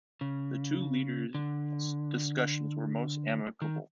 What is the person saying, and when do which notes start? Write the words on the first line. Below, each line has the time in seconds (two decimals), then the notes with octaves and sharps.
The two leaders' discussions were most amicable.
0.21 C#3
1.35 D3
3.62 D#3